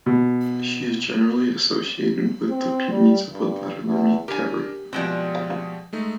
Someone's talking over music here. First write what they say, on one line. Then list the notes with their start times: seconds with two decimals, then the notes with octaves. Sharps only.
She is generally associated with the Piwnica pod Baranami cabaret.
0.06 B2
2.49 C4
2.90 G3
3.32 G2
3.88 E2
4.28 D4 G4 A#4 G#5
4.93 B2 F3 G3 G#3 C4
5.93 G#3 A3 D#4